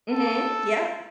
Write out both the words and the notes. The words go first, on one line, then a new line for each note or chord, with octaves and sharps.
Mhm. Yup,
A4